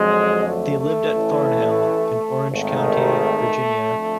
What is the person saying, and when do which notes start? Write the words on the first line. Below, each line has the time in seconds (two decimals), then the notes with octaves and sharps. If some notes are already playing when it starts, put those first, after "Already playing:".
They lived at "Thornhill" in Orange County, Virginia.
Already playing: F2 D3 F#3 G#3
0.46 A3
0.80 A3
1.14 A1 A2 E3
2.51 G#1 G#2 D#3 A3
3.88 F2 D3 F3